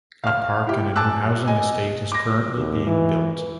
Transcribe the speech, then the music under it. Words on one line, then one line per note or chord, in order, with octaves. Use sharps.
A park and a new housing estate is currently being built.
F5 F6
E4 G4
G#5 A5 D6 E6 F#6
D#5 G#5
D6 A#6
D#2
E3